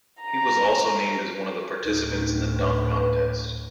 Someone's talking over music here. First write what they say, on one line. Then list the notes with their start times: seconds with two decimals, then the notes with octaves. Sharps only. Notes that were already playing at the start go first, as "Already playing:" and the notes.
He was also named as one of the participants in the dunk contest.
0.22 A#5
1.85 D2 A2 D#4
2.58 B4